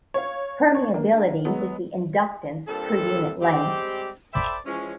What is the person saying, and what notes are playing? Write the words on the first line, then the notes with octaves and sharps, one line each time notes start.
Permeability is the inductance per unit length.
C#5 F5
C#5
A#3 D4
F#3 G#3 B3
G2 A#2 C4 A4
G3 G#3 C4 G4
A4 C5 D5 E5 G5 B5
E3 F3 G#3 C#4